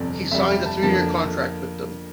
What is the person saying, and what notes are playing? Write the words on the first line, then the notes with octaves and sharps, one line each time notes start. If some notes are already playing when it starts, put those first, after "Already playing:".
He signed a three-year contract with them.
Already playing: G1 F2 C3 D5
G1 F2 C3 G3 E5
G5
A5
F2 D3 F3 A#3 A5